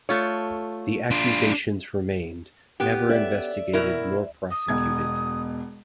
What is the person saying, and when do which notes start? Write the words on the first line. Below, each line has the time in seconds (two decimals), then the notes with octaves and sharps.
The accusations remained, never investigated nor prosecuted.
0.09 A3 F4 C#5
1.11 D4 F4
2.80 B3 G4
3.09 D5 E5
3.73 B2 E4 A#4
4.51 D#6
4.68 E1 B2 G#6